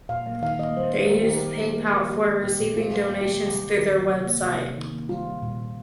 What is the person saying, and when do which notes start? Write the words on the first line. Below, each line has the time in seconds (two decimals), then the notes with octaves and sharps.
They used PayPal for receiving donations through their web site.
0.09 A#2 F5
0.27 A#3
0.42 D#3 F5
0.59 A#3 D#5
0.76 G3 C5
0.92 D#3
1.09 A#3 A#4
1.23 D#3 G4
1.37 A#4
1.43 G3
1.60 A#3
1.76 A#3 A#4
1.93 F3 A#4
2.09 A#3 G4
2.26 D#3
2.43 A#2 G4
2.60 A#2
2.76 D#3 F4
2.93 G3
3.09 A#3 G4
3.21 G4
3.26 D#3
3.32 G4
3.42 C3
3.59 C3
3.76 D#3 A#4
3.92 D#3
4.09 C3
4.26 A#3
4.42 C3
4.60 C3
4.77 D#3
4.93 A#3
5.09 G3 F4
5.26 G3
5.42 A#2
5.59 A#2